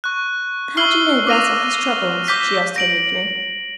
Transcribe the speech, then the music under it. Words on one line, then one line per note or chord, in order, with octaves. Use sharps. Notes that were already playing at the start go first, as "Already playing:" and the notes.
"How do you know Basil has troubles?" she asked hurriedly.
C#6 F#6
C#6 E6 F6 C7 F#7 G7
D6 E6 F6 A#6 D#7 F7
D6 G6 B6 G7
A#6 D7 F#7